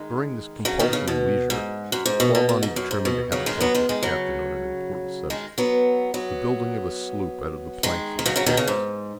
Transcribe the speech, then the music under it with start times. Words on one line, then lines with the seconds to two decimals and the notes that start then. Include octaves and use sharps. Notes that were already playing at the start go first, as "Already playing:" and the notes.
During this compulsory leisure, Clawbonny determined to have a talk with the captain on an important subject--the building of a sloop out of the planks of the Porpoise.
Already playing: D#3 G#3
0.65 C#3 F#3
0.79 B2 D#3
0.93 C#3
1.08 B2
1.50 G#2
1.92 F#2
2.06 G#2
2.20 B2
2.35 B2
2.49 B2
2.63 G#2
2.76 F#2
2.91 G#2
3.05 B2
3.32 C#3 F#3
3.46 D#3 G#3
3.61 F#3 B3
3.75 D#3 G#3
3.89 D#3 G#3
4.03 C#3 F#3
5.30 D#3 G#3
5.58 F#3 B3
6.14 F#3 B3
7.83 D#3 G#3
8.19 D#3
8.26 C#3 F#3
8.36 C#3 F#3
8.46 B2 D#3
8.57 C#3
8.67 G#2